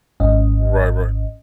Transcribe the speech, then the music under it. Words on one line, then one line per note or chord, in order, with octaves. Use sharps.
Right, right.
G#1 G#2 C#4 D#5